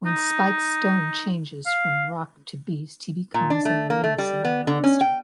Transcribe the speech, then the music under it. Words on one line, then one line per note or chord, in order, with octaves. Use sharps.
When Spike Stone changes from rock to beast, he becomes a menacing monster!
D#4
F5
A#2
D4
A3
A#3
A3
G3
B3
D3
C#4
G5